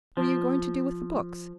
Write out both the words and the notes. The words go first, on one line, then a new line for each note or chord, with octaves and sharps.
What are you going to do with the books?
F3